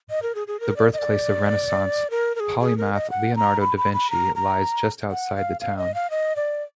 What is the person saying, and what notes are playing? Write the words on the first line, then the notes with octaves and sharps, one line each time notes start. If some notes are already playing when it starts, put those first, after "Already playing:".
The birthplace of Renaissance polymath Leonardo da Vinci lies just outside the town.
D#5
A#4
G#4
G#4
A#4
D5
D#5
D5
A#4
A#4
G#4
G#4
A#4
D#5
F#5
A#5
B5
B5
B5
A#5
A#5
F#5
F5
F5
D#5
F5
D#5
D5